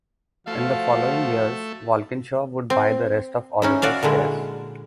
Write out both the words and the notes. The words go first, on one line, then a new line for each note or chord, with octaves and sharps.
In the following years Walkinshaw would buy the rest of Oliver's shares.
F3 A3 F#4 F5
C4
C#4 D#4 E4
F#4 D5 E5 F5
A#2 D3 G#3 E4